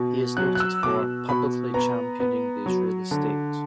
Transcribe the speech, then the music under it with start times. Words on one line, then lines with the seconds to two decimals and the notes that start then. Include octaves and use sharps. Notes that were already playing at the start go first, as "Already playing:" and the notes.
He is noted for "publicly championing the Israeli state".
Already playing: B2
0.37 F#3 F#6
0.55 F#6
0.60 E6
0.83 B2 D6
1.29 B2 B5
1.74 B3 A#5
2.20 B3
2.66 F#3
3.11 D3